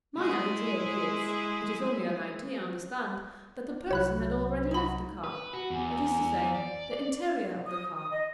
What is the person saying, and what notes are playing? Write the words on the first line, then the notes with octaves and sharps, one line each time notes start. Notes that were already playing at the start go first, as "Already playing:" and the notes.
"My idea is--it is only an idea, understand--that the person had already left the car--that is to say, the interior of the car."
G#3 E4 G#4
C2 F#3 C#5 B5 F#6
D#4 B5
B4
F#4
E2
D5
D#6
D#6
D#5